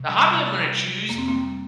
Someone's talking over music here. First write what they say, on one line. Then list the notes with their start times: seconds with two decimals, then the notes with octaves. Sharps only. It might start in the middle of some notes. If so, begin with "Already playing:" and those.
the hobby I'm gonna choose
Already playing: C3
0.09 G3
0.34 C3
0.59 G3
0.84 C3
1.09 F2 A#3
1.18 C4
1.28 A#3
1.34 G3